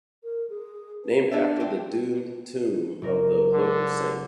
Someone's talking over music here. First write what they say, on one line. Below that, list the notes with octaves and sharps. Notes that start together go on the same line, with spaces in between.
Named after the doomed tomb of the local saint.
A#4
G#4
B4
B3 D4 D5 E5
C4 D4
F#1 A#4
D3